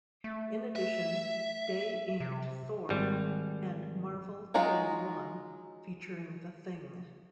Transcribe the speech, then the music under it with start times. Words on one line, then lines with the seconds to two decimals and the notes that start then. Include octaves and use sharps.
In addition, Day inked "Thor" and "Marvel Two-in-One" featuring the Thing.
0.24 A3
0.76 E5
2.20 C3
2.89 G#1 G3
4.54 F#3 G#3 D#4 F4